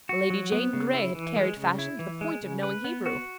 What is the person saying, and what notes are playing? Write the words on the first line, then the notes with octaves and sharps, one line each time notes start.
Lady Jane Grey had carried fashion to the point of knowing Hebrew.
F#4
F#3
B3
C#3
E4
E3
G#3
C#3
E4
E3
G#3
C#3
B4
B3
F#4